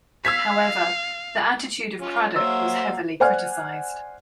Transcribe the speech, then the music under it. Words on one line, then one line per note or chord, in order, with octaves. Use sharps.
However, the attitude of Cradock was heavily criticised.
F5 E6 G#6 B6
C#4 F4
F#3 A#3 C5 C#5 E5 F5 E6
C5 D5 F#5 G#5 F6 F#6